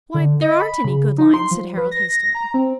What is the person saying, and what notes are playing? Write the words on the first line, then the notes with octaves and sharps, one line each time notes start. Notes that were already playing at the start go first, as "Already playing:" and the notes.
"Why, there aren't any good lions," said Harold, hastily.
D3
D#5
B5
C#3
D#4
C6
F3
B4
A#6
A#5
C4